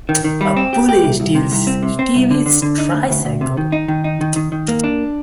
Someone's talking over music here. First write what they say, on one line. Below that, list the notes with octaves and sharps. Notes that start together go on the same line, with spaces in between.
A bully steals Stewie's tricycle.
D#3
D#3
G3
C4
G4
G4
C2
C2
C3
C2
C4
C3
C4
C2
D3
D3
D3
D#4
D2
D2
D2
C3
D#3
D#4
D#3
D#4
D#3
D#3
D#3
A#3
D4